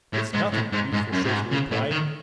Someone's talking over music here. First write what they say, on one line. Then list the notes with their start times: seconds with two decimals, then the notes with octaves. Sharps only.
"It's nothing," the youthful chauffeur replied.
0.13 A2
0.34 G#2
0.53 A2
0.73 G#2
0.93 G#2
1.12 F#2
1.24 A2
1.32 G#2
1.51 C#3
1.71 A2
1.91 D#3